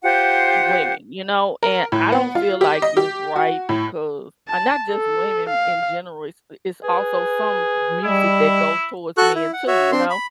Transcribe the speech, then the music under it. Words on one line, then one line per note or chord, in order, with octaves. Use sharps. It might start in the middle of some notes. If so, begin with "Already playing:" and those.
women, you know, and I don't feel like it's right because and not just women in general, it's, uh it's also some music that goes towards men too, you know,
F4 G4 C5 F#5
A#4
A2
B3
F4
G4
D#5
G4
F#4
A2
A5
A4
F5
G#4 B4
G3 E4 D#5
F#4 A4 C#6 F#6
E4
F#5
F#4 C#5 E5
C4 D4 C6
B5